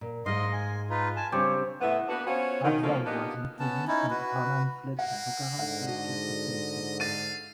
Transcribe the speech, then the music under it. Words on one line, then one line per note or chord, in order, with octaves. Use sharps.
Afzal was imprisoned and Rahman fled to Bukhara to escape the same fate.
A#2
G#2 G#3 D#5 F5 C6
G#5
D#4 F4 B4
G#5 A5
C#3 G3 C4 D4 G4 C#5
A2 B3 E5
A#3 B3 D4 F#4 B4
B3 C#4 F4 F#4 C5 C#5
D#3
F#2 F3 A3 A#3 C#4
A#3 B3 D4 D#4 F4 G4
B3 C#4 A5
C#4 D#4 E4
F#4 B4
A#3 F#5
G#2 D3 F#5
F#4 D#5
F5 A6 D#7